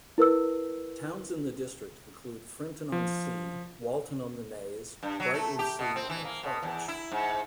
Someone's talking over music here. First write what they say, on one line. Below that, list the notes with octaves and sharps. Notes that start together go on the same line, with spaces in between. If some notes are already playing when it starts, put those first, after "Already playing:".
Towns in the district include Frinton-on-Sea, Walton-on-the-Naze, Brightlingsea and Harwich.
E4 A#4 B4 E6
F3
G2
F#3
A3
G4
B2
C4
E3
A#3
B2
E2
E4
G#2